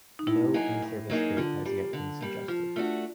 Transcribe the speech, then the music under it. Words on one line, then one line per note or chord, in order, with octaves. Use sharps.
No in-service date has yet been suggested.
D#4
A2 E4
F#3 A#3 D#4 G#4
A2
F#3 A#3 D#4 G#4
D3 F4
G3 A#3
D3
G3 A#3
F3 F4
A3 D4 F4 F#4